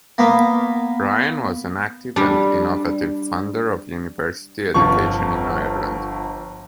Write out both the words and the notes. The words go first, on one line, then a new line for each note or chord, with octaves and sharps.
Ryan was an active and innovative funder of university education in Ireland.
A#3 B3
G3 D4
G1 F3 C#6